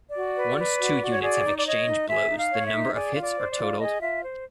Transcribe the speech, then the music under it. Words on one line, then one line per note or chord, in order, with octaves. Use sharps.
Once two units have exchanged blows the number of hits are totalled.
D5
F#4
B4
B4
F#4
F#4
C#5
G#4 D5
D#4
D5
C#5 D#5
D#4
G#4 E5
D#4
F5
C#5
E5
D#4
G#4 D5
F4
D5
C5
D5
F4
G#4 D#5
F4 E5
C5